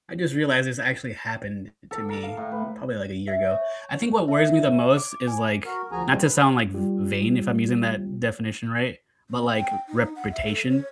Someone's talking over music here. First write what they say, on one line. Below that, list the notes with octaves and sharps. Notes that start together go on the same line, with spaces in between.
I just realized this actually happened to me probably, like, a year ago. I think what worries me the most is, like- not to sound, like, v vain, if I'm using that definition right- but, like r reputation.
A4
A#4
F5
A2
B4
E5
C#5
E5
D6
G#5
F#4 A#4
D2 F3 F#4 G#4 G#5 A#5
A#2 C#3 F3 G3 G#3 C4
B4
G3 F4 G4
C4
G5
D#4
F#5
E5
A4
C#5